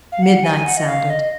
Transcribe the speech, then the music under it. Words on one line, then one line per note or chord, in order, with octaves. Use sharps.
Midnight sounded.
F5
F#5
G#5
F#5
D#5
F5
D#5